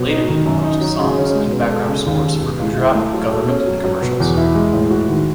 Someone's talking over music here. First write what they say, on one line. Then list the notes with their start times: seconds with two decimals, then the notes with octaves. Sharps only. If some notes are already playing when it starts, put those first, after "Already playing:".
Later he composed songs and background scores for Gujarat government and commercials.
Already playing: B2 F#3
0.10 D#4
0.28 D#3
0.46 F#2
0.64 D#4
0.81 F#3
0.99 C#3
1.17 C#4
1.35 G#3
1.52 B2
1.70 A4
1.88 C#3
2.06 D#2
2.23 D#2
2.42 B2
2.59 C#2
2.77 E4
2.95 A3
3.13 F#3
3.31 A4
3.48 C#4
3.66 F#3
3.84 F#3
4.02 B2
4.20 E2
4.37 E4
4.55 G#3
4.73 A2
4.91 F#4
5.08 D#3